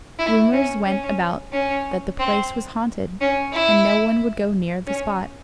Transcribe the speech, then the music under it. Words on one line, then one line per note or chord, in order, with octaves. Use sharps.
Rumours went about that the place was haunted, and no one would go near the spot.
E4
C#4
C#4
C#4
C4
C#4
E4
C#4